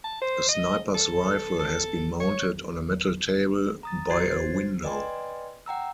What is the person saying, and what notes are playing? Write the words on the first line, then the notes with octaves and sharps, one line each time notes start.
A sniper's rifle has been mounted on a metal table by a window.
A5
C5
D#5
A4
A4
C#5
A#5 D#6 A6
F#4 C5 G#6 A6 C7
B4 D5 D#5 G5 G#5 C6
F#5 G5 A#5 E6